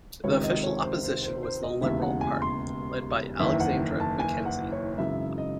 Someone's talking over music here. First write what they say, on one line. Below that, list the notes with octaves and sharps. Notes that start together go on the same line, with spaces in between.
The Official Opposition was the Liberal Party, led by Alexander Mackenzie.
C#2 C3 D#3 C#5
D#5
C#5
C5
C5
C5
C5
D#5
E1 D#2 C#3 E3 E5
F#5
G#5
C6
F#1 E2 D#3 E5
F#5
A5
G#5
F#5
C#5
G#1 F#2 C#3 E3 E5
D#5